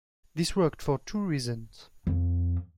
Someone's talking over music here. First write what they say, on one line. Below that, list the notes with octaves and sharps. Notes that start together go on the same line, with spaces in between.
This worked for two reasons.
F2